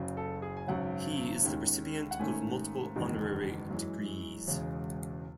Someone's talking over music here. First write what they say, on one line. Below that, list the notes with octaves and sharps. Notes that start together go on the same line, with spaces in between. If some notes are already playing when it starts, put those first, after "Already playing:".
He is the recipient of multiple honorary degrees.
Already playing: F#1 F#2 C#3
A4
G#4
G#5
G#1 F#2 C#3 F#5
D#2 D#3 G#3 C#4
F#5
G#1 G#2 D#3 A3 C#4 G#5
F#1 E2 D#3 G#3
F#2 E3 G#3
E1 E2 C#3 G#3